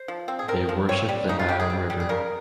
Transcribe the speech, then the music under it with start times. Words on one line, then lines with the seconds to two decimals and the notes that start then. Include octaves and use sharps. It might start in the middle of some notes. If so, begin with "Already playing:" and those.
They worship the Nile River.
Already playing: C5
0.08 F3
0.28 C4
0.39 G#4
0.48 C4 A#4
0.69 F3
0.89 C4 C#5
1.09 G3
1.29 C#3 D#4
1.39 F4
1.48 C#3 G4
1.60 G#4
1.70 C4
1.90 G3
2.00 G#4
2.09 C#3 A#4